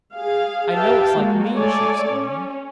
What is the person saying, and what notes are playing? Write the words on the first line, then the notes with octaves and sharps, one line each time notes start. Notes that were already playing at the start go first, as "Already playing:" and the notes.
'I know it's like me!' she exclaimed.
G#4 F5
G4 B4 E5 F5 G5 A5
G#3 A#3 F#4
A3 A4 C#5 D5 G#5
C#4